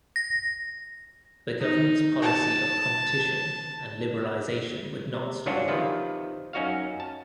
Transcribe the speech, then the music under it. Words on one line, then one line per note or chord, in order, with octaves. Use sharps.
The government's policy of competition and liberalization would not to stop there.
A#6
D#4
A5
C3
G2 F#3 C#4 D4 F4 F#4
C3 D#3 F3 F4 B4
F#2 C#4 D#4 F#4 C#5 F5
A5